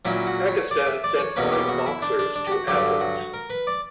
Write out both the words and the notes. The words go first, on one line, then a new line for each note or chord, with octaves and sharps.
Pakistan sent five boxers to Athens.
A#2 F#3 C#4 E4
F#4
C#5
D5
E5
D5
C#5
E2 B2 A#3 C#4 B4
G4
F#4
E4
D4
D4
D4
G4
F#4
G2 D3 F#3 G4
F#4
A#4
B4
D5